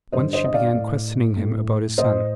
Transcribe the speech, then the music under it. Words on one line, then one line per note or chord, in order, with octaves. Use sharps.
Once she began questioning him about his son.
G2 C5 D#5
D3
C5 D#5
D#5
D5 F5
A2
A2
A2 C5 D#5